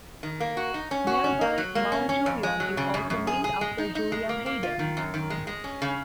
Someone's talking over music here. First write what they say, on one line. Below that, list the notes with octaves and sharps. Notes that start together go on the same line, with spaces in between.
Nearby Mount Julian is also named after Julian Hayden.
D#3
A#3
F#4
D#4
C#4
F#4
C#4
A#3
F#3
A#3
C#4
C#4
F2
G#3
F#3
C#3
F#2
F#2
G#4
G#4
G#3
D#4
D#4
G#3
A#3
A#3
F4
D#3
F#2
D#3
G#3
G#3
C#4
C#3